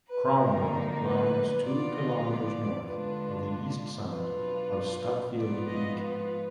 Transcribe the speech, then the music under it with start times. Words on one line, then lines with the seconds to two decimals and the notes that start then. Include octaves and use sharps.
Cromwell lines two kilometers north of the east summit of Stutfield Peak.
0.09 B4
0.40 F2 D3 F#3 A#3 D#4 A#4
1.03 B4
1.64 D3 F3 B3 F4 D5
1.95 D#5
2.27 D5
2.88 D3 G#3 D4 F4 B4
4.12 B2 F#3 D4 F4 B4
5.36 G#2 F3 B3 F4 D5
5.67 D#5
5.98 B4